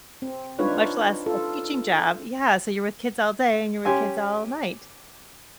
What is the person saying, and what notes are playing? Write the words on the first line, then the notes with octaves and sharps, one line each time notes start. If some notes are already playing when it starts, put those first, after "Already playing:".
much less a teaching job, yeah, so, you're with kids all day and you're with kids all night,
C4
D4 D#4 F4 B4 C#5
F4 A4
C#4 G4 G#5 C6